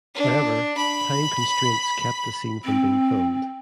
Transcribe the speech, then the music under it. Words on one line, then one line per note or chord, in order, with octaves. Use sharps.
However, time constraints kept the scene from being filmed.
D4
B5
C4